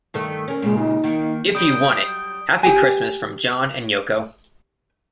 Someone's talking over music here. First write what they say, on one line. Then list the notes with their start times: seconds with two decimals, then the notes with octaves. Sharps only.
If You Want It - Happy Christmas from John and Yoko.
0.14 G2 D#3 A3
0.48 A#3 C#4
0.62 A#2 C#3 G#3 G4
0.77 D#4
1.04 D#3 A#3
1.55 F#3 G3 D#6 G6 D7 G7
2.63 G4 G5 G#5